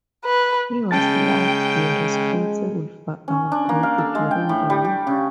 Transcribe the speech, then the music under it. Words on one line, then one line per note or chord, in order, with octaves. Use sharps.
He was largely responsible for our growth during the war.
B4
C#3 G#3 C#4 G5 A5 A6
C#4
D4
A#3
F5
A4
G#3
G5
A2
G3
G4
C#3